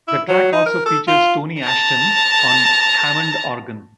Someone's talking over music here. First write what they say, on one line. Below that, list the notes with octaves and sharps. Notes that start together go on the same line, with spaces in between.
The track also features Tony Ashton on Hammond organ.
E4
F#3
D#4
A#4
A4
F4
A5 A#5